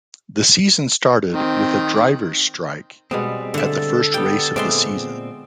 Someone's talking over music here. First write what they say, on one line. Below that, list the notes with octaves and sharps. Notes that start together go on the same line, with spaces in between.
The season started with a drivers' strike at the first race of the season.
D#3 C4
B2 G3 G#3 B3 C4
D3 A4 E5
G3 B3 G5
A#2 G#3 B3 C4 D5 E5 C6